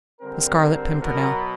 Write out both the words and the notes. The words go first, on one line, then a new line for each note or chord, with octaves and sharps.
The Scarlet Pimpernel.
D3 G3 C4 A#4
B2 F#3 B3 A#4